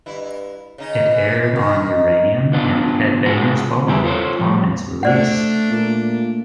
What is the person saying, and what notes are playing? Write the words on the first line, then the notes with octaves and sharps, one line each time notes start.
It aired on "Uranium" and "Headbangers Ball" upon its release.
G2 E4
C#3 D#4
E3
D#3
E3 B3 D4 F4
G#2 G#3 D4 F4 F#4 G#4
G3 E4 G4 E5
F4 A4 C5 C#5
F3 G3
A3 D4 C5 D5 F#5
A#2 A#3